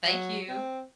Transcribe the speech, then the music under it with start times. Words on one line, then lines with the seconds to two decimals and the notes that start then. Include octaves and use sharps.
Thank you.
0.06 F#3
0.49 C4